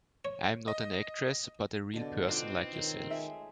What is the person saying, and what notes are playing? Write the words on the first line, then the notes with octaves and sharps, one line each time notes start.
I am not an actress, but a real person like yourself.
C#5
D#5
B2 D3 D5
C4 D4 D#4 F4 B4
D#3 C#5 G5
G#3 A3 E5 G#5